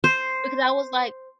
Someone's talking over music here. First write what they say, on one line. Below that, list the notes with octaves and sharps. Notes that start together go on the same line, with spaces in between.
because I was like
C5